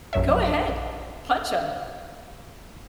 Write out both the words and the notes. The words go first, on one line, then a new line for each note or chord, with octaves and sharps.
go ahead, punch him,
A#1 F#2 C#5 E5